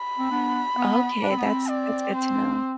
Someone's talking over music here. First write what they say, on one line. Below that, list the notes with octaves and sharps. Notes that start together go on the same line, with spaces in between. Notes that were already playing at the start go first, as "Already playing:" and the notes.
Okay, that's that's good to know.
Already playing: B5
C4
B3 D4
B3
D4
C4
B3
C4
D5
C5